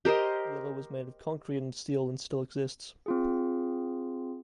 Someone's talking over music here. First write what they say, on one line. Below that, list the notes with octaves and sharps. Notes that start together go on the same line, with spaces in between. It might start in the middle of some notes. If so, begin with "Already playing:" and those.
The other was made of concrete and steel and still exists.
G4 A#4 C5 D#5
C4 F4 G#4